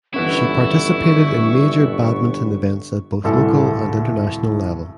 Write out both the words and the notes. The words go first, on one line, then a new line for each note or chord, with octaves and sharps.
She participated in major badminton events at both local and international level.
G1 E3 B3 C#4 E4 C#6
D1 C2 A2 A4